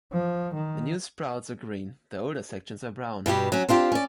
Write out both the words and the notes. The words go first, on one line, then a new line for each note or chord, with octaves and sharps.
The new sprouts are green, the older sections are brown.
F3
D#3
G2 B2 F#4 G4
F#3 C#4
C4 D4 F4 G4
C#4 D5